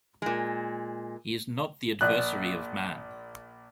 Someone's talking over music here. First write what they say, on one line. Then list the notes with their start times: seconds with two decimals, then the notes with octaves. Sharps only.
He is not the adversary of man.
0.22 A#2 G#3
2.01 A#1 A#2 F#6